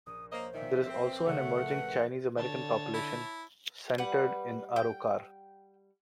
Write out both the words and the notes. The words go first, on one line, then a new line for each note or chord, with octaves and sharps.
There is also an emerging Chinese-American population, centered in Arrochar.
A#1 D#6
A#3 C5 C#5 D#5
A#2 D#3 E5
A#3 C4
A#1 C#3 A3 C#5 F#5
A#4 B4
D3 C#5 A5
E4
G3 B4 F#5
G5